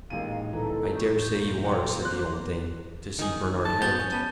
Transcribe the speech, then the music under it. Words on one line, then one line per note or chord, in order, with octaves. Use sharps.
"I daresay you are," said the old dame, "to see Bernard hanged."
A1 A#2 G#3 D#4 A#4 F5 D#7
C2 A#2 D3 E3 A4 A#5
E2 A#2 D#4 F4 A#5 C#6 G6
F#5 G5 C6 D6
B3 C5 F#6
D#3 G#4
A5
B3 F#4 G6 A6 G7
C#4
B3 A5